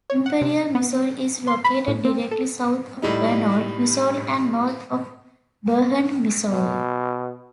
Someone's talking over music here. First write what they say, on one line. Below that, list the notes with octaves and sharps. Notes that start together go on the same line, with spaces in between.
Imperial, Missouri is located directly south of Arnold, Missouri and north of Barnhart, Missouri.
C#5
F#5
C3
B3
C6
B5
A2
C4
A4
A2 G3 D#4
B2